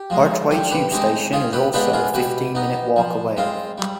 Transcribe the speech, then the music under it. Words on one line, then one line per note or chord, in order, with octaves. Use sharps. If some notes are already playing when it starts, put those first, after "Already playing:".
Archway tube station is also a fifteen-minute walk away.
Already playing: G4
F3 G#3
F3 G4
G4 B4
G#3 C4 D#4 G4
D#3 F4 G#4
G4 B4
G#3 B3 D4 F4 G4 B4
F4 G#4
B2 G4 B4
B3 D#4
F3
G#3 C4 F4
G3